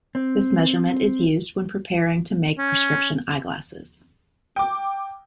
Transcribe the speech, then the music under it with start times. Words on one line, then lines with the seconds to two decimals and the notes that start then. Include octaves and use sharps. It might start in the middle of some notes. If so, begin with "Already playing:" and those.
This measurement is used when preparing to make prescription eyeglasses.
0.15 C4
2.58 C#4
4.56 G5 D6